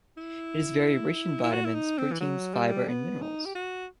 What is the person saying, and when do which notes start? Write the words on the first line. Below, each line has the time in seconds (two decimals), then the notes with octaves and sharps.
It is very rich in vitamins, proteins, fibre, and minerals.
0.17 E4
1.44 E4
1.52 F#4
1.65 E4
1.74 D#4
1.98 C4
2.12 E3
2.20 F#3
2.54 G3
2.88 B3
3.22 D#4
3.45 G4
3.55 F#4